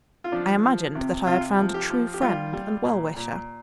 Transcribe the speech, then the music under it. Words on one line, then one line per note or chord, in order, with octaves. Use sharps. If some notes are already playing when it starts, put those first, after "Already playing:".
I imagined that I had found a true friend and well-wisher.
F4
F3 D4
F3
C3
C3 F4
F3
G4
F3
G4
G3 F4
G3
A#2
A#2